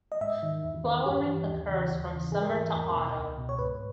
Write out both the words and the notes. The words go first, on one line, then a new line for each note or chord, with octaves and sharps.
Flowering occurs from summer to autumn.
D#5
G#2 E5
D#3
E2
D#3
G2 G4
E3
D#2
C#3 E3
D#2
C#3 E3
G#2 G#4
A#4
G#4
E3
E2 A#4
B2
C#2
B2
C#5
G#2 B4